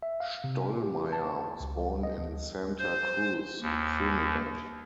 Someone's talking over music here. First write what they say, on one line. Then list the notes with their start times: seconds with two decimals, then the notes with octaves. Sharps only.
Stollmeyer was born in Santa Cruz, Trinidad.
0.03 E5
0.20 F5
0.44 C3
0.83 G4
1.13 A5
1.60 C#2
2.03 D#5
2.18 D2
2.79 C5
3.62 D#2